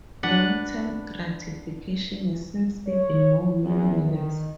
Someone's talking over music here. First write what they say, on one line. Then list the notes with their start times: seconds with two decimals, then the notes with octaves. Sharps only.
Long-term gratification seems even more meaningless.
0.23 D4 B4 F#5
2.87 C#5
3.64 E2
4.08 D#3